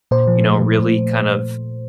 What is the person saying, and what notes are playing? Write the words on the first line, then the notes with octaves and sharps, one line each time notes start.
you know, really kind of,
A#2 C5
F3
A3
A#2
A#2